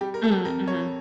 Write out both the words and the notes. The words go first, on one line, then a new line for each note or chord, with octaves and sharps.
Mm, mhm.
G3 G4
A#4
A4
F2 A#4
C#5